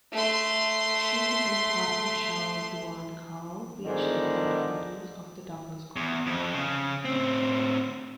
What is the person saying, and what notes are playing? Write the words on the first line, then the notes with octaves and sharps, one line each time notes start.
She and partner Shao-Yuan Kao reached the quarterfinals of the doubles competition.
A3 C6
E2 G#2 D3 D#3 G#3 D4
E2
F2
C#3
A2 C4